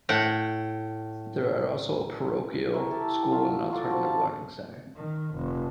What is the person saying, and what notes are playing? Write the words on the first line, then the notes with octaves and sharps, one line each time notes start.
There are also a parochial school and an alternative learning center.
A2 F#5 G5
E4 A#4 E5 C#6
G4 A4
F#3 F4 E5 A#5
F#3 F4 A4 D5
F#4 C5
G4 F5 A5
D#3
F1